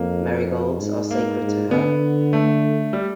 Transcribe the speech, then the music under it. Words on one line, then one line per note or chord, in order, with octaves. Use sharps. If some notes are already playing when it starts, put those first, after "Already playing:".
Marigolds are sacred to her.
Already playing: F2 A#3
G#2
A#3
G#2
D3 B3
A3
G3